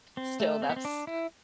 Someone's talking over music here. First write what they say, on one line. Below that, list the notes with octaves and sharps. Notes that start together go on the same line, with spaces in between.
still, that's
C4
A3
C4
B3
C4
D4
E4